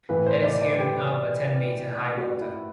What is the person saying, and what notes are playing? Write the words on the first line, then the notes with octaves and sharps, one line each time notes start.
It is hewn out of a ten meter high boulder.
A2 E3 B4
C5
D5
D5
G4
F#4
E4